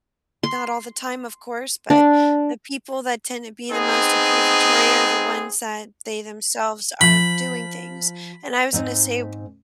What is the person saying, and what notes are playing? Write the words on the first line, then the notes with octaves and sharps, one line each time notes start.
not all the time, of course, but the people that tend to be the most accusatory are the ones that they themselves are doing things, and I was gonna say
C6
D4
B3 C4 D#4 G#4
F3 B5
G#2 C4 D#4